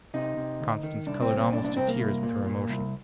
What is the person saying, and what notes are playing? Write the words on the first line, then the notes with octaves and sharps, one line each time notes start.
Constance coloured almost to tears with her emotion.
C3 D#4
C3
D2
D#3
C2 D4
C4
A#2
C4
C2 D4
D4
C2 C4
A#3
C2
A#2
A#2
C2